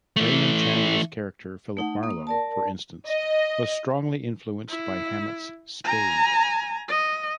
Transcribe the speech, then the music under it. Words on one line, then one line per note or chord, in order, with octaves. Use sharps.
Raymond Chandler's character Philip Marlowe, for instance, was strongly influenced by Hammett's Spade.
E3 A3
A3 D#4 F#5
A#3 D#6
A#4 D5 A5
D#5
E4
G#5 A#5
D#5